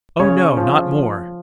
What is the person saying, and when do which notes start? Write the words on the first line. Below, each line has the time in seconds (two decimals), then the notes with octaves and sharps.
"Oh, no, not more!"
0.20 C#3 C#5
0.57 F3